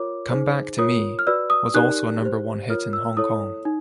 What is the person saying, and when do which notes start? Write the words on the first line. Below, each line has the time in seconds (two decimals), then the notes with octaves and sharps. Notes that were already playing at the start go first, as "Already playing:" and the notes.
"Come Back to Me" was also a number-one hit in Hong Kong.
Already playing: F4 A#4 C#5 D6
0.31 D#4 G#4 C5
0.78 F4 A#4 C#5 D#6
1.19 F6
1.27 F#4 B4 D5 E6
1.50 D#6
1.74 D#4 G4 A#4 D5 F#6
2.22 G4 C5
2.69 F4 A#4 C#5 F6
2.93 E6
3.17 E4 A4 C#5 D#6
3.65 D#4